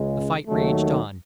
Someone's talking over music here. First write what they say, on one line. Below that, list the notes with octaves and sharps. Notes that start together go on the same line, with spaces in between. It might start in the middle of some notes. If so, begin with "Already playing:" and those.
The fight raged on.
Already playing: C#2 C#3 G#3
D#2 D#3 F#3 A3